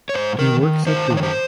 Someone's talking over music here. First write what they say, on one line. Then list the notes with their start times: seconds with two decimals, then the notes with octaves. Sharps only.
He works at Google.
0.09 C#5
0.14 G#2 C5
0.38 D#3 A#4
0.62 D#3
0.86 D#3 C5
1.10 D#3
1.17 C#5
1.23 C5